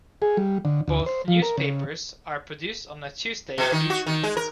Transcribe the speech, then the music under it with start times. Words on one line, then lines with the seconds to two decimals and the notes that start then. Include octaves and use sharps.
Both news papers are produced on a Tuesday each week.
0.22 G#4
0.37 G3
0.65 D3
0.88 D2
1.06 C5
1.28 F3
1.42 A#4
1.58 C#3
3.58 B2
3.72 D#3
3.90 F#4
4.07 D#3
4.23 G#3
4.37 A#4